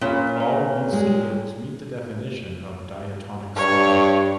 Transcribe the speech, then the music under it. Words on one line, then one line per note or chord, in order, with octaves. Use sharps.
All these scales meet the definition of diatonic scale.
A#2 C#4 B4
C#5
G3 G#3
G2 C#5